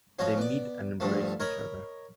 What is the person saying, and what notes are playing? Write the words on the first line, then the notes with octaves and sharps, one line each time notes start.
They meet and embrace each other.
F3 C#4 F#4 C#5 D#5
B3 D5
D2 G2 D3 F3 A3
A#4 C#5 D#5 A#5 B5